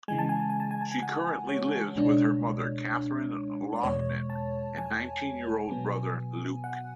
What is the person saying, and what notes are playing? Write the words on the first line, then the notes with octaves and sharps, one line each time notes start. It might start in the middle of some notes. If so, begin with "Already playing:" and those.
She currently lives with her mother Kathryn Loughnan and nineteen-year-old brother Luke.
C#3 E3 G#3 G#5
A5
G#5
A5
G#5
A5
G#5
A5
G#5
F#5
C#5
C#2 B2 G#3 D4
D5
E2 B2 G#3 C#5
A5
G#5
B2 F#3 B3
F#5